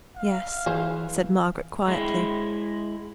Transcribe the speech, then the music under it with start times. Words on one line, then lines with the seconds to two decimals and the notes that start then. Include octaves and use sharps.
'Yes!' said Margaret, quietly.
0.17 F5
0.66 E3 G#4 C5
1.88 G#3 E4